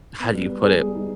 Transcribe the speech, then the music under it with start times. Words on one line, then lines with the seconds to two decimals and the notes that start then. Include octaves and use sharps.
how do you put it?
0.20 B3
0.35 G3
0.50 B3
0.64 G#4
0.80 G3
0.95 D#4